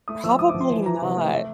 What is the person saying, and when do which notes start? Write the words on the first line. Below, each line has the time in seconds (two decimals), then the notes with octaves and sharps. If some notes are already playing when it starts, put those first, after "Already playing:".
Probably not.
0.08 A3 D#6
0.24 F3 E6
0.39 A3 D#6
0.49 D6
0.54 F3
0.61 C6
0.70 E3
0.85 E3 A#5
1.02 C3
1.17 A3
1.32 A3